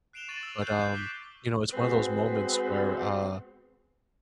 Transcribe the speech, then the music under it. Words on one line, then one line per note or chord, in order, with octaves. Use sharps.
but, um, you know, it's one of those moments where, uh,
F#6 C7 D7 E7 F7 G7
C#6 A6 D#7 E7 F#7
E6
F#6 G6 A6 C7 E7
G6
D6 B6 D7 G7
G#3 B3 C4 F#4 B4